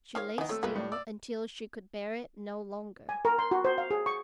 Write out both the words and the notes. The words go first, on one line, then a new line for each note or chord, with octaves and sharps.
She lay still until she could bear it no longer.
D#3 F3 C#5 F5
D#3 E3 B3 D#5
A3 C4 C#5 E6
C2 G#3 F4 A#4 B4
A2
D5 E6
G#5
A#4
C6
F#4
C5
F5
G#4
C#6